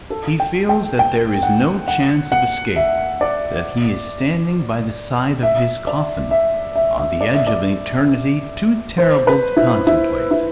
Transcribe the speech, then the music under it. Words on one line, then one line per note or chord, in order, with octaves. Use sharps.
He feels that there is no chance of escape; that he is standing by the side of his coffin--on the edge of an Eternity too terrible to contemplate.
A4
G5
G5
G5
F#5
F#5
F#5
E5
D5
E5
D5
E5
E5
E5
D5
E5
D5
C5
B4
E4
E4
E4